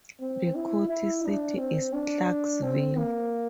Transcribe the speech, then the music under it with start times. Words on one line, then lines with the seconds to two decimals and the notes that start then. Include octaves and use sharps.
The county seat is Clarkesville.
0.21 C4
0.55 E4
0.90 E4
1.24 D4
1.58 C4
1.93 D4
2.63 C4
2.97 A#3